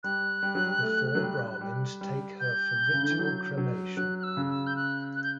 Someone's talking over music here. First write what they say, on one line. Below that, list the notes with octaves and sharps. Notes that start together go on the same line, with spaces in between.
The four Brahmins take her for ritual cremation.
G3 F#6
G3
F#3
G3
A3
F#3
G3
G3
G3
G6
C#3
D3
E3
F#3
F#3
F#3 F#6
F#6
E6
C#3
E6
G6
F#6
F#6
G6